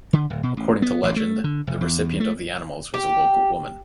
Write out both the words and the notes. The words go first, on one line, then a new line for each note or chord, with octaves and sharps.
According to legend, the recipient of the animals was a local woman.
D3
D1
B2
A1
B3
A1
A3
D3
F1
E2
A3
G4